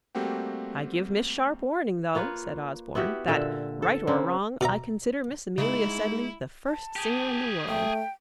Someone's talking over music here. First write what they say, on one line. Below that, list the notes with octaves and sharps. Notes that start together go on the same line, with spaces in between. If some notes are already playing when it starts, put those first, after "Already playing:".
"I give Miss Sharp warning, though," said Osborne, "that, right or wrong, I consider Miss Amelia Sedley the first singer in the world."
G3 A3 A#3 C4 F#4 G4
A#3 F4 B4 C#5
B3 E4 F#4 G4
A#2 D3 E5 F5
A4
C#3 A#3 C4
B2 D5 E5 A#5
G#2 C#3 G#3 E4
A5
G4 G#4
A3 G5